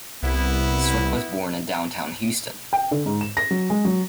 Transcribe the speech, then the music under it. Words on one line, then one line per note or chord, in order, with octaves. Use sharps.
Swick was born in downtown Houston.
C2 B3 E4
G5
D3
G#2
E7
A#6
F#3
G#3
F#3